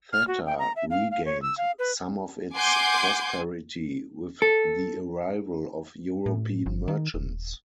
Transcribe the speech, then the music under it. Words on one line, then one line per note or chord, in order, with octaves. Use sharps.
Thatta regained some of its prosperity with the arrival of European merchants.
F6
F#4
G5
A#5
E5
F5
F5
C#5
E6
F5
B4
F#5 G#5 C6 D6 G6
A4
A2
G1
D#3
D#1